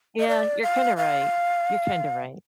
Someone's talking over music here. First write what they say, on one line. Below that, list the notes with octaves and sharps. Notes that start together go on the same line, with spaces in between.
Yeah, you're kinda right. You're kinda right.
D#5
D5
F5
F5